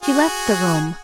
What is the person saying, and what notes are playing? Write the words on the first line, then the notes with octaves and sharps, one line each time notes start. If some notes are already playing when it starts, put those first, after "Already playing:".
She left the room.
F#4 G#4